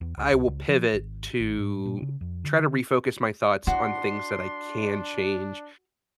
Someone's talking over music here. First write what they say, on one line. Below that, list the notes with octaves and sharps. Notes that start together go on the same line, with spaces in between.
I will pivot to try to refocus my thoughts on things that I can change,
E2
C#2
C#2
C#2
F3
G#1
G#1
G#2
A#2
C#3
F2
D3
D4 E4 F#4 C6